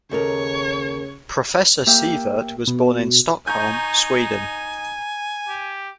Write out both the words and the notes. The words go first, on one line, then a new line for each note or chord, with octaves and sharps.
Professor Sievert was born in Stockholm, Sweden.
D#2 C#3 A4 A#4 C#5
A#3 G4 E5
B2
D#4 G#5 A#5 C#6 G6
G4